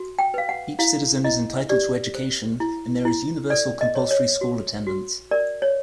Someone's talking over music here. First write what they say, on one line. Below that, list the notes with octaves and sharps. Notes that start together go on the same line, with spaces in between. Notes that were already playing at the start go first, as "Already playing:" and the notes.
Each citizen is entitled to education and there is universal compulsory school attendance.
Already playing: F#4
G5
B4 F5
F#5
E4 F5
E4 D#5
G4 D5
C5
E4
E4
A4 D5
D#5
C#5
C#5
F#4
F#4
A#4 D5
C#5